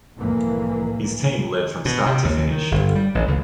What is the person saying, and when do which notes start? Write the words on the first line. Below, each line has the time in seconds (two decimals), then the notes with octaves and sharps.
His team lead from start to finish.
0.18 C2 F2 A2 E3 A#3
1.85 B2
2.06 C3
2.25 D#2
2.51 D#3
2.71 G1
2.95 G3
3.15 A1
3.28 C#2